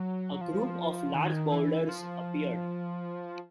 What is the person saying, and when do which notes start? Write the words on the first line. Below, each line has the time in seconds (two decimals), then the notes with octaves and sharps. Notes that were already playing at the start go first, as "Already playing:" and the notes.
A group of large boulders appeared.
Already playing: F#3
0.41 F3
1.14 D#3
1.52 E3
1.89 F3